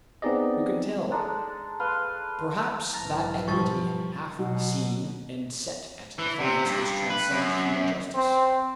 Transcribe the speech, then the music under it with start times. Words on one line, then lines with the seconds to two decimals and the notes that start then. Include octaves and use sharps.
Who can tell? Perhaps that equity, half seen and set at defiance, which transcends human justice.
0.22 B3 C4 D#4 G#4 D5 D#5
1.11 G#3 D4 D#4 A4
1.80 B4 F5 C6
2.93 B1 G#2 E3 A5 A#5 F6
3.48 G2 F3 C#6 A6
4.38 B2 F#3
6.18 E3
6.40 C3
6.66 G2
7.10 B4
7.31 F#2
8.14 C4